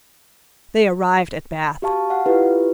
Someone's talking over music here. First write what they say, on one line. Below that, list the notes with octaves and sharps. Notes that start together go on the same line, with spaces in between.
They arrived at Bath.
F#4 G4 F5 A5 C#6
F5 F#5
E4 F4 G4 B4